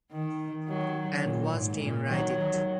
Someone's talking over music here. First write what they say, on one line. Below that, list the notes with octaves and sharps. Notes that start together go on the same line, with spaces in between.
And watched him write it.
D#3
D#3 F#3
A#2
G#2
A#2
D#3 F#3
D#3 F#3